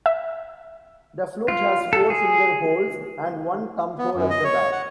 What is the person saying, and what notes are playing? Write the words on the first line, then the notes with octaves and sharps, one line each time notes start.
The flute has four finger holes and one thumb hole at the back.
E5
F4
A4
G#4
B3
F#2
D#5
C#5
F#5